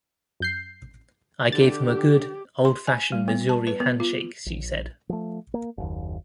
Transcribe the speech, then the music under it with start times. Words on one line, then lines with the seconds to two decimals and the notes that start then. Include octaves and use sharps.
I gave him a good, old-fashioned Missouri handshake, she said.
0.40 F#2 G6 C7
1.52 D3 G4 A6
2.65 C6
2.87 G#5
3.12 G3
3.28 B3
3.49 A5
3.67 B4
3.80 B3
4.00 F4
4.46 A#1
5.09 F3 A3
5.54 A#3
5.78 F#1 D#2